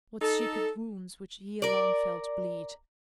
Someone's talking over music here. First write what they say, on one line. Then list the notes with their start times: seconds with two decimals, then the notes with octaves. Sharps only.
What secret wounds which he alone felt bleed!
0.21 D#4 A4
1.62 A#4 D5